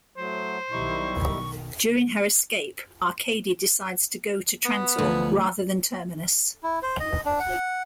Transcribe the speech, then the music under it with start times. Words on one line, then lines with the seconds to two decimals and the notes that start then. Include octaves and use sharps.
During her escape, Arkady decides to go to Trantor rather than Terminus.
0.17 A2 F#3 C5
0.72 B1 D#3 G3 D#4 E4 C#6
4.65 B3
4.98 D2 E3 F3
6.63 E4
6.83 C5
7.00 D#5
7.26 D4
7.40 F#5